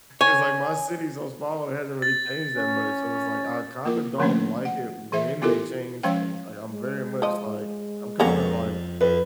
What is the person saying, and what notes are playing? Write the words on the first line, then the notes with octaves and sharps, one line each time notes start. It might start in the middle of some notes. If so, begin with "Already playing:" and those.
it's, like my city's so small it hasn't really changed that much, so, it's, like, I kinda don't like it when they change things, like, I'm very much, like I'm kinda, like
C#5 G#5
A6
C#4
A#3 F4 A#4
D3 F3 A3 A#3 C#4 D4
F#5
E3 G#4 C5 E5
B3 E4 F4 G4 A4 A#4
F3 G#3 C#4 C5 F5 G5
G#3
F3 D#5
F2 A#3 B3 C#4 A#5
F2 B4